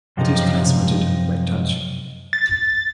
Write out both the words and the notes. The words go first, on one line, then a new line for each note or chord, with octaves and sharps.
It is transmitted by touch.
F#2 C3 F3 D#4
A6